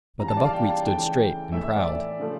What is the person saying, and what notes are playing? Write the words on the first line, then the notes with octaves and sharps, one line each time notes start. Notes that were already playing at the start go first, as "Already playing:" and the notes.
But the buckwheat stood straight and proud.
C#3 E3 G3 A#5
A5
D5
F5
G5
A5
C#3 E3 A3 G5
A2 E3 A3 E5
E5
D5
C#3 F3 A3